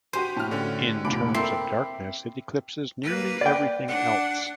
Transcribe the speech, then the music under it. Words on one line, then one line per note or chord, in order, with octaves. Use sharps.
In terms of darkness, it eclipses nearly everything else.
F#4 G4 C5 D#7
A2 A5 F6
D3 C#4
F1 D#2 A#2 B5 D6 D7
C4 E4 A4 A#4 C7
A#3 B4
D5 G5
D4 F#5